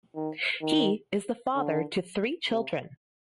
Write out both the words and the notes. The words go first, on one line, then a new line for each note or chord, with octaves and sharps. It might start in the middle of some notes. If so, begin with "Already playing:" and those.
He is the father to three children.
D#3
D#3
D3
C3